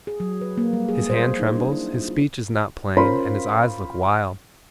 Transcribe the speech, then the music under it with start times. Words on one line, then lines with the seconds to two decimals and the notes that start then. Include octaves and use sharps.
'His hand trembles, his speech is not plain, and his eyes look wild.
0.07 G#4
0.20 F#3
0.41 B4
0.57 A#3
0.73 G3
0.89 G#4
1.10 C5
1.40 D#4
1.56 D4
1.72 E4
1.95 F4
2.10 F4
2.97 C#4 F4 A#4 C5 B5 C6